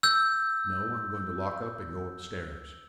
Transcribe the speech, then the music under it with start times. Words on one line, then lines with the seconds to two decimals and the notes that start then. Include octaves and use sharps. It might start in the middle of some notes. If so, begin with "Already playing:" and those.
"No; I'm going to lock up and go upstairs."
0.03 E6 G6